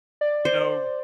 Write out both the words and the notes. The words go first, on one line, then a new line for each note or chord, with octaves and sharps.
you know
D5
C5